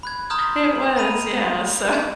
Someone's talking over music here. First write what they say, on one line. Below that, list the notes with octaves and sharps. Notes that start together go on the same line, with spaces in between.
it was, yeah, so,
B5 F#6 G#6
A#5 C6 D#6 F6 G6
A#5 B5 D#7 F7